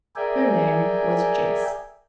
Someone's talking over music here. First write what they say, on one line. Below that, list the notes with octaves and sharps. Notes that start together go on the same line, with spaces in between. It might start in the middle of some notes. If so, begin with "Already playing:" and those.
Her name was Jess.
G#4 A#4 D5 E5 G5 G#5